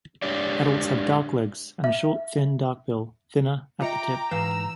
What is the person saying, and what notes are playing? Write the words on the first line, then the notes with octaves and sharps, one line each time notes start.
Adults have dark legs and a short, thin, dark bill, thinner at the tip.
G#3 D4 G4 C#5 D5
E5
F4 D#5 E5 G5 A#5 D6
G#2 E3 B4 F5 E6